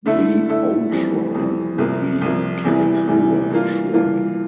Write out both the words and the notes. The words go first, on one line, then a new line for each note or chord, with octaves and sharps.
The 'old shrine' would be Kamikura Shrine.
D3 A3 E4 A4 E5
D3 A3 E4 A4 E5
F2 E3 G3 C4
F2 E3 G3 C4
C2 C3 F3 A#3
C2 C3 F3 A#3
E2 C3 E3 G3
E2 C3 E3 G3
G2 E3 A#3 F4
G2 E3 A#3 F4